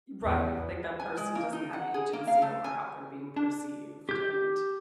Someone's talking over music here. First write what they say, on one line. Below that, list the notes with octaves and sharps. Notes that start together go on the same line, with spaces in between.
Right, like, that person doesn't have agency over how they're being perceived, and
E2
G#5
G#3
A#3
D#4
F#5
G#4
A#3
F5
A3
G#5
D4
G4 G6